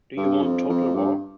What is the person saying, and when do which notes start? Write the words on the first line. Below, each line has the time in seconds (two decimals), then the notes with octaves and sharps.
Do you want total war?
0.17 G2
0.42 F2
0.69 F2
0.94 G2